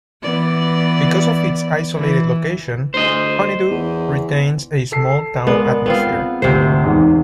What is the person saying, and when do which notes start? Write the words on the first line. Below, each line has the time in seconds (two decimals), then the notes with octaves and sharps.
Because of its isolated location, Honeydew retains a small town atmosphere.
0.23 E3 B3 D5
1.95 E3
2.94 D2 C5 D#5
3.70 E2
4.92 A4 C7
5.47 G#3 B3 A#4 D5
5.86 B3 C4 F4
6.42 G#1 D2 C3 C5
6.84 E2 G#2 D#3